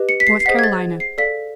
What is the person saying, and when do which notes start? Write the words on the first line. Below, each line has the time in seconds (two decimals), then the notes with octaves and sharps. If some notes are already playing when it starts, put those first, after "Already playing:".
North Carolina.
Already playing: G4 B4 D#5
0.09 C#7
0.20 B6
0.27 C7
0.40 C7
0.46 G#4 C5 D#5 F#5 B6
0.59 G#6
0.64 A6
1.00 C7
1.18 A4 D5 F5 B6